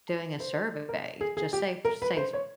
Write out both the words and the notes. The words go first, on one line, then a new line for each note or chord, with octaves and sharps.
doing a survey, just say say
C5
A#4
G#4
G#4
G4
A#4
B4
C5
C#5